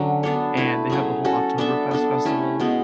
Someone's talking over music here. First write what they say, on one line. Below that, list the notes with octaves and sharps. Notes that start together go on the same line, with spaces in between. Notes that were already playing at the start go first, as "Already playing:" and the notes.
and they have the whole Oktoberfest festival
Already playing: D3 F#3 C#4
B3 D4 A4 C#5
A3 E4 B4
F#3 A3 C#4 G#4
C#4 F#4 A4
B3 D4 A4 E5
B3 D4 A4
A3 C#4 E4
B2 G#3 B3